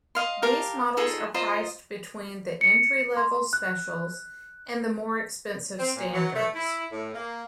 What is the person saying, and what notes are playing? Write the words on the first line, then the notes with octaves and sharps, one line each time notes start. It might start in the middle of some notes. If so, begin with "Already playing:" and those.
These models are priced between the entry-level Specials and the more expensive Standards.
D#5 F5 C6
G4 A#4 F5 A5
D#4 F4 G#4 A4
F4 C5 D#5 A#5
C#7
C6
F#6
C4
A#2
F#3
A3
E4
A2
A#3